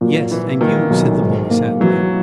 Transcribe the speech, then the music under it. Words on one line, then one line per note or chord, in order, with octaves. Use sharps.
"Yes; and you," said the boy sadly.
A#2 F#3
E3 E4
D#3 A#3
B1
G#2
A#3
E3 F#3